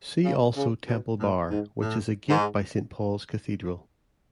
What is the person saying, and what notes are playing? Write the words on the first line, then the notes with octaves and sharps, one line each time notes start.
See also Temple Bar which is a gate by Saint Paul's Cathedral.
C#3
C#3
B2
A2
G#2
A2
G#2